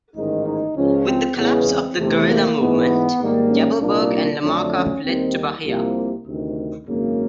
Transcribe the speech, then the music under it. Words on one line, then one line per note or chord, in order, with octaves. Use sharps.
With the collapse of the guerrilla movement, Yavelberg and Lamarca fled to Bahia.
A1 G#2 D#3 D#4
D#4
C#2 C#3 F3 C#4
C4
E2 C#3 E3 G#3 B3
C4
E2 C3 E3 A3
A#3
G#2 E3 G#3 B3
G#2 D#3 G3 A#3
C#4
C2 A#2 G3 A#3 D4
D4
F2 D3 F#3 A3 D4
C#4
D#2 D#3 G3 C4
C2 C3 F3 A#3
D2 C3 D#3
G#1 F#2 C#3 A#3